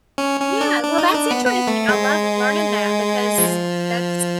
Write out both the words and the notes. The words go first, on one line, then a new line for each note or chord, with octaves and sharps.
Yeah, well, that's interesting. I love learning that, because that's
C#4
C#4
D4
D4
D#4
D4
B3
B3
A3
G#3
F3